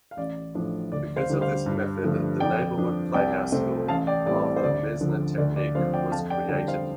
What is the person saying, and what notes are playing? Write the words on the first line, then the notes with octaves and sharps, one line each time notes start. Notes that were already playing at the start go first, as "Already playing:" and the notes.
Because of this method the Neighborhood Playhouse School of the Meisner Technique was created.
F5
A1 D5
A2 F3 D4
D2 D5
C5 F5
D3 G3
C5 F5
G2
D3 F3 A3
F2 D5 G5
F3 D4
C2 D5 G5
C3 A3 C4
A1 F5 A5
D5 G5
A2 G3 C4 D5
D5
C5
D2 D5
D3 F3
D2 D5
D5
D3 F3 C4 C5 F5
D5 G5
F2 F5 A5
D5 G5
D3 G3 D5 G5
C5 F5